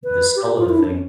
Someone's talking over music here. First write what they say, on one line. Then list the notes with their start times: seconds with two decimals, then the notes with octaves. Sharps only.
in the skull of the thing.
0.04 B4
0.36 G4
0.58 F4
0.69 E4
0.79 D4
0.90 C#4